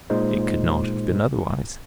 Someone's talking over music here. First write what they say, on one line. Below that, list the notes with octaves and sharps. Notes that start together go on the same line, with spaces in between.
It could not have been otherwise.
A#2 G#3 D#4 C5